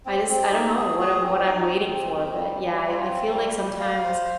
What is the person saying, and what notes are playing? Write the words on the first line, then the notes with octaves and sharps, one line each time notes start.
I just I don't know what I'm what I'm waiting for, but yeah, I I feel like sometimes
C4
C4
D#4
G#4
G#4
C4
D#4
C4
C4
C4
G3
G3
F4
C4
G3
G3
F5
C5